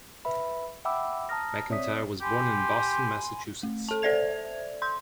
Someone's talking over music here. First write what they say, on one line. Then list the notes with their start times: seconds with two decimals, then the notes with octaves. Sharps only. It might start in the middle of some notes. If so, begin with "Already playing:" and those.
McIntyre was born in Boston, Massachusetts.
0.25 B4 E5 B5
0.85 E5 F#5 G5 B5 D6 E6
1.29 A5 A#5 D#6 F6 A#6
1.70 C4 C#5 D5 E5 D#6 B6
2.21 G4 G#5 B5 C6
3.63 A3
3.89 A4 A5
4.02 A4 C5 D5 E5 G#6 F7
4.82 C6 G6